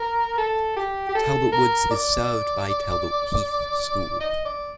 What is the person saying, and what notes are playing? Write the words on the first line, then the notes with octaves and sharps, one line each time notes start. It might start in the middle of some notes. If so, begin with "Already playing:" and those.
Talbot Woods is served by Talbot Heath School.
Already playing: A#4
A4
G4
G4
A4
A#4
D5
D#5
D5